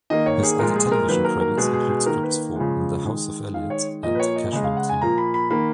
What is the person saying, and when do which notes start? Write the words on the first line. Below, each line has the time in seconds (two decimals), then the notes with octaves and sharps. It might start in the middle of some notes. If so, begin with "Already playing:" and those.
His other television credits include scripts for "The House of Eliott" and "Casualty".
0.10 D#3 A#3 D#5
0.26 C#5
0.43 G#4
0.59 A#2 F3 G#3 A#4
0.76 G#4
0.92 A#4
1.08 D#3 F#3 A#3 B4
1.25 A#4
1.41 A#4
1.57 B2 G#3 G#4
1.73 G#4
1.90 G#4
2.06 D#3 A#3 A#4
2.23 B4
2.56 C#3 F3 G#3
3.05 D#3 G#3
3.54 D#3 G#3 F5
3.70 C#5
4.03 A#2 F3 A#3 D#5
4.15 B4
4.20 C#5
4.36 D#5
4.52 C#3 G#3 D#5
4.64 F5
4.77 F#5
4.89 G#5
5.01 A#2 F3 A#3 A#5
5.18 B5
5.34 B5
5.50 D#3 A#3 B5